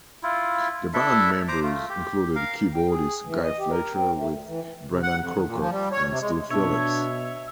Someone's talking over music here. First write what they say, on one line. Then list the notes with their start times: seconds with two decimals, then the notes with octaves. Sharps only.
The band members included keyboardist Guy Fletcher, with Brendan Croker and Steve Phillips.
0.23 E4 F4
0.94 D4 E4 A4 E5
1.48 C5 A#5 D6
1.63 A3 F4
1.89 G4
2.35 A#4 F5
2.75 G5
2.88 G#4
3.25 E3
3.43 D#5
3.58 G4
3.70 A#4
3.93 C4
4.16 A3
4.30 D2
4.47 E3
4.89 C3
5.03 F#5
5.19 F2
5.33 D#3
5.46 A#2
5.58 F3
5.71 G3
5.92 C#5
6.08 C3
6.21 G#3
6.50 B2 D4 C#5 E5